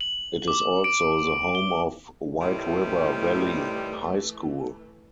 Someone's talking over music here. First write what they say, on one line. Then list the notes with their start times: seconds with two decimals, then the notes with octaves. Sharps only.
It is also the home of White River Valley High School.
0.01 F#7
0.48 D6
0.84 D7
1.55 G7
2.41 A2 C3 D#3 E3 G3 A3